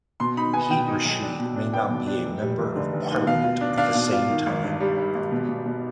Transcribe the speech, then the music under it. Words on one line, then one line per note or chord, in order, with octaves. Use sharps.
He or she may not be a Member of Parliament at the same time.
B2 C6
D#4 B5
B3 G#5
B2 G5
D#4
B1
D4
B2
D4
B3 G5
B2
D4
F1
G3
F1
D3
F1
D#2
B2 F5
F4
D4
D4 F5
B2
F4
D#3
G#1
G2
G3
G3
G#1
B2
B2
B2